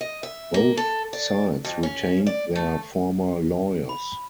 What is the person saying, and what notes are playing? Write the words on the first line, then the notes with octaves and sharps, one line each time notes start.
Both sides retained their former lawyers.
D#5
E5
A#3
A4
D5
F2
C#4
D5
A3
B5